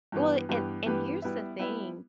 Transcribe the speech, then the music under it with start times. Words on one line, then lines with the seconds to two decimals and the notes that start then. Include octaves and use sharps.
well, and and here's the thing,
0.12 G2 E3 B3 G4 B4
0.49 G2 E3 B3 G4 B4
0.86 G2 E3 B3 G4 B4
1.22 G3 B3 E4 B4 E5
1.59 G3 B3 E4 B4 E5